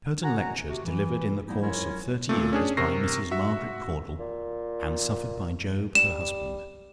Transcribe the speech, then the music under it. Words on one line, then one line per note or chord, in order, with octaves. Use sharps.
"Curtain Lectures delivered in the course of Thirty Years by Mrs. Margaret Caudle, and suffered by Job, her Husband."
F#4 F#5 G#5 A#5
C3 F#4
E3
G3 A#3 B3 D#4 E4
F#3 C#4 E4 F4 A#4 C#5
A#2 A3
C#4 D4 G#4
C3 A#4 C#6 A#6 C7
F#4 E5
A#2
G3 E7